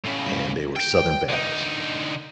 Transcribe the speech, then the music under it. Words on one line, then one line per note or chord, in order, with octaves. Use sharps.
and they were Southern Baptists.
A2 C#3
G5
D3 D#4